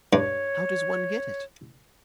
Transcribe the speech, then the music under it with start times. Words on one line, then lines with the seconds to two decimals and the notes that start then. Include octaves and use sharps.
"How does one get it?"
0.13 G2 C#5